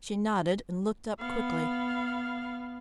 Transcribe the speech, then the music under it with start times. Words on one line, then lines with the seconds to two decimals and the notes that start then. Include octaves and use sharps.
She nodded, and looked up quickly.
1.20 B3 F5